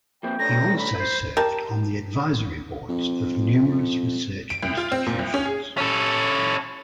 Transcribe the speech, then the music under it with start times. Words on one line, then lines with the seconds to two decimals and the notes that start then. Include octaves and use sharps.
He also served on the advisory boards of numerous research institutions.
0.23 F3 A#3 C4 G5
0.39 A3 C#4 D4 A#6
0.78 B5
0.99 C5
1.37 G4 A#4 A5
2.89 F2
4.50 D7
4.63 C2
4.77 F4
4.92 C4
5.07 A#2
5.19 C2
5.34 C#4
5.46 G#4
5.78 C#4 A4